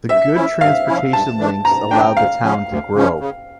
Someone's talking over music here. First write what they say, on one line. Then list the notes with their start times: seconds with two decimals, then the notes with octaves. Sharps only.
The good transportation links allowed the town to grow.
0.09 G2 E5
0.35 F3 C#4 E4
0.61 G2 F5
0.87 F3 C#4 E4
1.13 G2 A5
1.39 E3 A3 D4
1.65 G2 A#5
1.91 E3 A3 D4 G5
2.17 D2 F5
2.43 C#3 F3 C#4
2.69 D2
2.95 C#3 F3 C#4
3.20 C#3